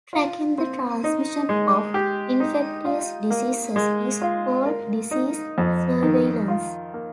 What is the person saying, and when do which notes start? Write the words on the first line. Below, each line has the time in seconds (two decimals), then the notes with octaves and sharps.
Tracking the transmission of infectious diseases is called disease surveillance.
0.13 F4
0.58 C4
1.04 D#4
1.49 G#3
1.94 G4
2.40 D#4
2.85 F4
3.30 A#3
3.76 G#3
4.22 F4
4.66 A#4
5.11 D#4
5.58 F2
6.02 D#3
6.48 F4
6.94 A#3